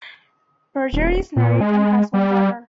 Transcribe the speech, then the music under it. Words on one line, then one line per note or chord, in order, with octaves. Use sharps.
Berger is married and has one daughter.
D#1
A#2
G#3
G3